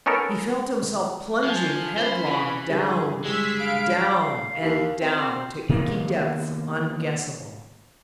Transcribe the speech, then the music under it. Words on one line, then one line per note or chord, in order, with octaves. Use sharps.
He felt himself plunging headlong down, down, and down to inky depths unguessable.
B3 C#4 D#4 A4 A#4
F3 G#5 A5
C#4 C5 B5
E3
G2 D3 G4 G#4
G3 G#3 C#5 E6 G#6 B6
F5 B5 B6 D7
F5
D#2
C4 C5
C3 D#3 A#3 B3